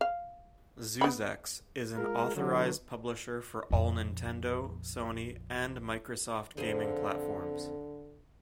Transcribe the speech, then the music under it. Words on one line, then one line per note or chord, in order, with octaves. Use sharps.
Zuxxez is an authorized publisher for all Nintendo, Sony and Microsoft gaming platforms.
F5
B3 B5
G#3 F4 G#4 A#4
D3 E3 F#3
A#1 F2
F2 D3 C4 G#4